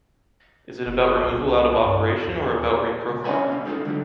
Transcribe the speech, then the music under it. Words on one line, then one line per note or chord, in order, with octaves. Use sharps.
Is it about removal out of operation or about reprofiling?
F#1
C2
G2
D#2
C#2
C#4 E4 D5 F#5 G#5 B5
C3 A#3 C#4
G3 G#3 B3 D#4 F4 A4
D3 D#3 F#3 G3